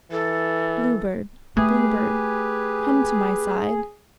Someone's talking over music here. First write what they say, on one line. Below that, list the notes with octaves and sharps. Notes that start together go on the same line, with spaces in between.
"Blue Bird, Blue Bird, Come to my side."
E3 A4
A3 G4 G#4 B4